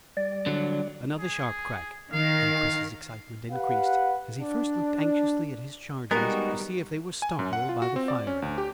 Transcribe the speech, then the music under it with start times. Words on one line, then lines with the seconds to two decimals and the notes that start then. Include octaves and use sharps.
Another sharp crack, and Chris's excitement increased, as he first looked anxiously at his charges to see if they were startled by the firing.
0.17 G3 D5
0.47 D3 F#3
1.18 G#4
2.12 D#3 F5
3.51 G4 B4 F5 F#5
4.39 D4
6.11 G3 G#3 B3 D#4 F#4 A#4
7.22 G#5
7.39 F#2
7.53 F#5
7.69 F4
7.82 F#4
7.96 C4
8.08 D5
8.27 C#4
8.42 D2
8.58 G4